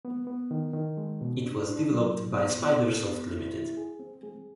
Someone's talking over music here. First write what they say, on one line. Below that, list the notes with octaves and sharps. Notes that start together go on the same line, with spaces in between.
It was developed by Spidersoft Limited.
B3
B3
D#3
D#3
G#3
B2
D4
D4
F#3
A#2
B3
B3
A4
B3
E4
E4
G#4
C4
G#4